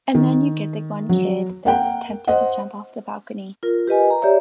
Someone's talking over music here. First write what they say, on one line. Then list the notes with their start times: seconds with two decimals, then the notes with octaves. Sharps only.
And then you get the one kid that's tempted to jump off the balcony.
0.15 D#3
1.09 F#3
1.66 A#3 F#5 G5
2.28 C5 D#5 F#5
3.63 F4 A#4
3.87 G4 B4 D#5 G#5
4.10 A#5
4.22 G4 C#5 D5 E5